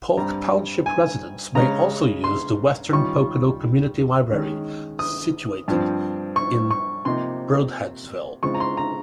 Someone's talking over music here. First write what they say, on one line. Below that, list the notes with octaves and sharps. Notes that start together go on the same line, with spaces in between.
Polk Township residents may also use the Western Pocono Community Library situated in Brodheadsville.
G2 G3 C4 A#5
G#5
C#3 G#3 C#4 A#5
C6
D#3 G3 C#4 F4 C#6
D#3 G#3 C#4
D#6
G2 F3 C4
C#6
C#6
C3 F3 A#3 D#4 C6
C#3 G#3 C4 F4 C#6
A#5
C6
A#5